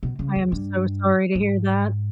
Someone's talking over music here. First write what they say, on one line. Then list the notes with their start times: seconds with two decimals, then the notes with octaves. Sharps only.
I am so sorry to hear that.
0.03 B2
0.19 C#3
0.35 E2
0.52 G2
1.35 G#2